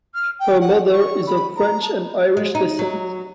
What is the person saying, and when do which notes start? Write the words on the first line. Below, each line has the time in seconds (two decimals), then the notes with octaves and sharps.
Her mother is of French and Irish descent.
0.14 F6
0.39 G5
0.60 F#5
0.92 C#6
1.26 B5
1.56 A#5
1.81 A5
2.37 G#3
2.55 D#4
2.79 F#3